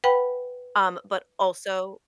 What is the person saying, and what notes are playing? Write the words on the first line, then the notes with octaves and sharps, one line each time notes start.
Um, but also
B4 F#5 G5 B5